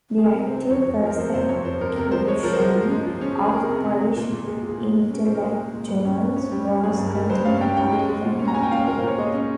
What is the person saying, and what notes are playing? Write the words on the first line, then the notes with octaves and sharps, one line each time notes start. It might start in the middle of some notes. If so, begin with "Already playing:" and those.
The active persecution of Polish intellectuals was continued until the end of the war.
G#4
C3 A#4
C3
C5
C3
F2 C#5
F3
F3 A#4
F2 C5
C3 C5
F2 C#5
F3 C5
F2 A#4
C3 A#4
A#4
F3 C5
G#3 C#5
F3 A#4
C5
G#3 A#4
F3
G#3
F3
C#4
G#3
G#4
G#3 A#4
C3
C3
G#3
A#2
A#2
G#3 G#4
A#2
G#4
A#2
G#3
C#4
A#2 C5
A#4
G#3 G#4
G#3
A#2
G2
C#4
G2
C#4
G3
C#4
G2 G#4
G2
A#4
G3
G2 C5
C#4 F5
G3 G5
C#4 G5
G#3
G#3
A#2
C#4
A#5
C#4 G#5
G5
A#2 F5
A#2 A#4
C5
A#2 C#5
G#3 D#5
C#4